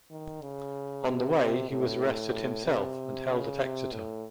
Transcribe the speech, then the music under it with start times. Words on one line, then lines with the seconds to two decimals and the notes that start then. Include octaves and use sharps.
On the way he was arrested himself and held at Exeter.
0.10 D#3
0.41 C#3
1.05 C3
1.37 C3
1.69 A2
2.64 C3
3.28 C#3
3.60 C3
3.92 A2